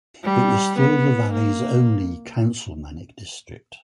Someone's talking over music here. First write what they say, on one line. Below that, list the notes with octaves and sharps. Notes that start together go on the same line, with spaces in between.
It was still the Valley's only councilmanic district.
G3
B3
A#3